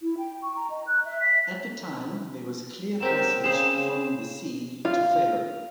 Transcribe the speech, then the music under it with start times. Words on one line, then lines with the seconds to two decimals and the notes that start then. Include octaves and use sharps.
At the time there was clear passage from the sea to Farum.
0.01 E4
0.18 G5
0.42 C#6
0.56 A#5
0.70 D#5
0.87 F#6
1.05 E5
1.21 B6
3.00 F#3 C4 G4 A#4 E7
3.44 C#3 G#4 C5
4.85 F4